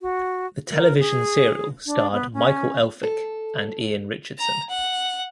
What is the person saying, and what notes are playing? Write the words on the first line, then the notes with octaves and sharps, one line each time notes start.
The television serial starred Michael Elphick and Ian Richardson.
F#4
A#4
G#4
D4
B3
C#4
A4
A#5
F#5